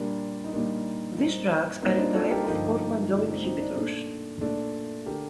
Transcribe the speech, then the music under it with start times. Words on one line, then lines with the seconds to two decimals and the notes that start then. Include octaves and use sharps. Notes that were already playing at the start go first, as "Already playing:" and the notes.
These drugs are a type of "portmanteau inhibitors".
Already playing: A#2 G3 A#3 D4
0.44 D#4
0.53 A#2 G3 A#3 D4
1.12 F4
1.18 A#2 G3 A#3 C4 D#4
1.82 A#2 G3 A#3 C4 D#4
1.99 D4 F4
2.14 F4 A4
2.31 G4 A#4
2.47 G2 D3 F3 A#3 D#4 G4
3.12 G2 D3 F3 A#3 D4 F4
3.28 C4 D#4
3.44 C4 D#4
3.60 D4
3.76 A#2 A3 D4
4.41 A#2 A3 D4
5.06 D3 A3 G4 A#4